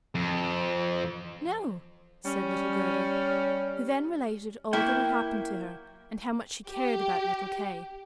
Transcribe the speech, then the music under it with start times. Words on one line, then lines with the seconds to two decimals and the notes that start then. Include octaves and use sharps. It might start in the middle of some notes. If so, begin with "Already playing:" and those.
"No," said little Gerda; who then related all that had happened to her, and how much she cared about little Kay.
0.15 F2
2.25 G3 C#4
4.73 F#3 A#3 E4 G5
6.69 G4